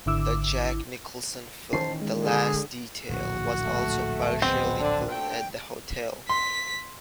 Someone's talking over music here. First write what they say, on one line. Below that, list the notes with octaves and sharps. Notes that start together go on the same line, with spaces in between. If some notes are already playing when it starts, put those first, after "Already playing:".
The Jack Nicholson film "The Last Detail" was also partially filmed at the hotel.
G#1 D3 E4 D6 E6
D#3 E3 C#4 C5 A5 C7
G#3
D3 G#4
D1 A#1 F#4
A3
G#3 B3 C4
D3 D4
D2 A3 G5
C6 B6